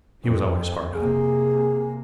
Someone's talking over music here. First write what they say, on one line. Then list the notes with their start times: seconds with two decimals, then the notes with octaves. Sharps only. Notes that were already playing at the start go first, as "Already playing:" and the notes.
He was always hard up.
0.24 F2
0.96 C3 A#3 G#4